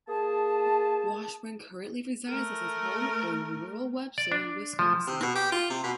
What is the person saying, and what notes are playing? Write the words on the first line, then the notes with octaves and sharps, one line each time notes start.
Washburn currently resides at his home in rural Webster, Wisconsin.
A#3 G#4 A5
A3 A#4
D5
D4
F3
C3
B2
G4
F4
C3
B2